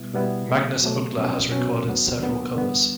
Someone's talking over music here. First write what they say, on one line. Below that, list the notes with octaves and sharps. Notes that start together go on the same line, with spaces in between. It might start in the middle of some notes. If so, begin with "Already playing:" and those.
Magnus Uggla has recorded several covers.
Already playing: B2 G3 B3 E4
B2 G3 B3 E4
B2 F#3 A3
B2 F#3 A3
B2 F#3 C#4
B2 F#3 C#4
D2 D3 F#3 B3
D2 D3 F#3 B3
E2 D3 G3 B3